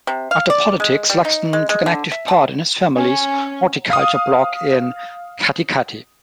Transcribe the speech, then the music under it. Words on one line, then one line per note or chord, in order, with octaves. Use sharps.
After politics, Luxton took an active part in his family's horticulture block in Katikati.
C3
F5
D5
G#3
G3
D#4
G#3
G#3
D3
E5
A5
C#4
F5 D#6